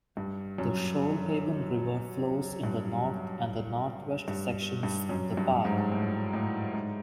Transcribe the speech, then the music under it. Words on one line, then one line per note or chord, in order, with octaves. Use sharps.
The Shoalhaven River flows in the north and northwest sections of the park.
G2
F#2
G2
G2
G2
F#2
G2
G#2
A2
A2
G#2